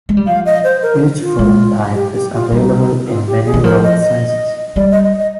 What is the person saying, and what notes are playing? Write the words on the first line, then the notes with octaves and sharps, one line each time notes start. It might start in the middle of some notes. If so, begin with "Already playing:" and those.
Each film type is available in many load sizes.
G#3
G3
F3 F5
D#5
C5
A#4
F4
G#3
G4
G4
F4
G3 D#4 F4
F4
G4
G#4
D#3
F3 A#4
D#5
D#5
G3 D5
D#5
D#5
D#5